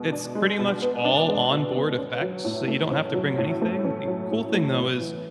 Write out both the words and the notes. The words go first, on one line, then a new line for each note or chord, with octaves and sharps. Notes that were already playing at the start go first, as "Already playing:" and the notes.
it's pretty much all onboard effects, so you don't have to bring anything. The cool thing, though, is
Already playing: B2 G#3 B3
D4
G#3
B2
B3
D4
G#3
B2
B3
C#4
F#3
A2
A3
C#4
F#3
A2
A3
C#4
F#3
A2
A3
B3
E3